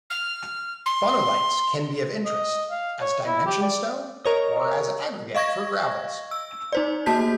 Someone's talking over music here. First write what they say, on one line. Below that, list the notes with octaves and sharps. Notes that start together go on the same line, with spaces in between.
Phonolites can be of interest as dimension stone or as aggregate for gravels.
F6
C6
D#5
F5
C#5
E4
G4
D5
A#4 C#5 D#5
D#5 F5 C#6 G#6 A#6
E6
D#4 C5 D5
A3 A#3 F#4 A5 G6 B6